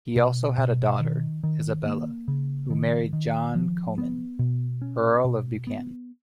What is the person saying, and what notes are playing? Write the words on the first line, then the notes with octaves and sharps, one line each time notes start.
He also had a daughter, Isabella, who married John Comyn, Earl of Buchan.
B2
B2
D#3
D#3
A#3
C#3
D#3
D#3
F3
B3
B2
C#4
B2
B3